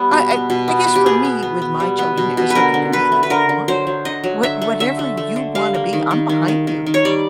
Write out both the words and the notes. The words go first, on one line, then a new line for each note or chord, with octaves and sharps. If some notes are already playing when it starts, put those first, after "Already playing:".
I I I guess for me, with my children, it was like you can be anything you want. What whatever you wanna be, I'm behind you.
Already playing: G3 B3
B2
B3
B2
B3
B2
G4
B3 G#4
B3
B3
B3
G3
B3
B2
B2
B4
D3 A#4
D3
D3 B4
A3
B4
D3 A#4
D3
F#3 C5
F#3
D3 D#5
F#3
D3 E5
A3
D3 E5
A3
A3
D3
G3 F5
A#3
D#3
D#3
D#3
D#3
D#3
D#3
C#5
G3 D5